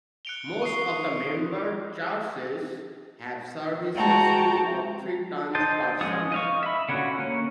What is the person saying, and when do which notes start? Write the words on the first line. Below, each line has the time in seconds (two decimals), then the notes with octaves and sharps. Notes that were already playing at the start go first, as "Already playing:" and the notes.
Most of the member churches have services two or three times per Sunday.
0.25 F#6 C#7 D7 F7 G7
0.62 C#6 D#6 C7
3.94 G#3 F#4 G5 A5 A#5
5.55 C5 D#5 G5 A5
6.01 F3 G#3 C#4 D#6
6.32 D#5 F5 C#6
6.63 E5 B5
6.89 D3 C#4 F4 F#4
7.18 A#3 C#4